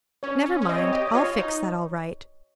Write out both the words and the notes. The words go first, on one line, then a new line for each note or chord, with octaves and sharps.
Never mind, I'll fix that all right.
C#4 C#5
C#4
C#4
C4 D#5
C#5
D#5
G4
D#5
F4 C#5
D#4